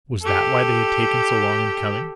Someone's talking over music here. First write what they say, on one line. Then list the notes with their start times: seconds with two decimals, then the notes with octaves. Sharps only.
Was that why they had taken so long in coming?
0.22 G4 A4